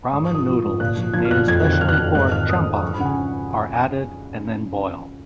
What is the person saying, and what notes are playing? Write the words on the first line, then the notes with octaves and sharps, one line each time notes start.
Ramen noodles made especially for "champon" are added and then boiled.
G#2 D#6
C#6
F3 D#6
F3
G#2
A#2 F#6
F3
F3 G#6
F6
A#2 F#6
F2 G#6
D#3 G#6
F#6
D#3 F6
F#6
F2
G#2 F#6
D#3 F6
D#3 D#6
G#2
D#6
F3 C#6
B5
C#3 F#5
G#5